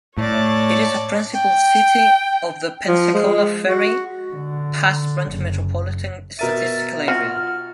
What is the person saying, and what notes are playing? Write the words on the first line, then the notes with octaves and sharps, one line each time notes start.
It is a principal city of the Pensacola-Ferry Pass-Brent Metropolitan Statistical Area.
A2 C#5 D5 A5
G5
F3
G#3
F#4
D3
F#1
B2 A#4 E5 A6 D#7
F4 F#4 F6